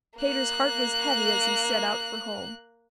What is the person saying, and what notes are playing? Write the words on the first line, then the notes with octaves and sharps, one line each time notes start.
Peter's heart was heavy as he set out for home.
A#3 F#6